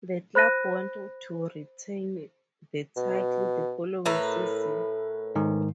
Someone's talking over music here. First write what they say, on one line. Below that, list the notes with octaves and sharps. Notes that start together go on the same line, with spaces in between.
The club went on to retain the title the following season.
C5 B5 F#6 A#6 D#7
B2
A2 A#4 B4
G#2 D#3